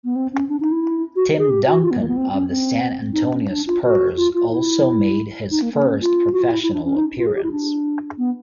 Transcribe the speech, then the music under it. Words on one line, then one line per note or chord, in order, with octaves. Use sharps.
Tim Duncan of the San Antonio Spurs also made his first professional appearance.
B3
C4
C#4
D4
D#4
E4
F#4
G#4
G4
F#4
F4
B3
A#3
B3
C4
C#4
C4
D#4
D4
C#4
D4
F4
F#4
F4
F4
E4
D#4
A#3
A#3
C#4
F4
F#4
F4
E4
E4
D4
C#4
D#4
F4
G#4
G4
E4
D4
B3